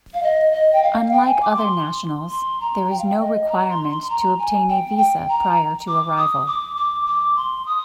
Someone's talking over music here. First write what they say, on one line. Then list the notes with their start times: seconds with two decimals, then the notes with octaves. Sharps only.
Unlike other nationals, there is no requirement to obtain a visa prior to arrival.
0.14 F5
0.23 D#5
0.52 D#5
0.73 G5
0.83 F5
1.12 G5
1.26 G#5
1.42 D6
1.57 C6
2.31 C6
2.61 A#5
2.90 G5
2.98 F5
3.07 G5
3.20 D#5
3.49 A#5
3.70 C6
3.89 C6
4.03 C6
4.09 A#5
4.39 G#5
4.69 G5
4.98 G5
5.29 A#5
5.88 D6
6.17 D#6
6.47 D6
6.77 D6
7.06 D6
7.36 C6
7.66 D#6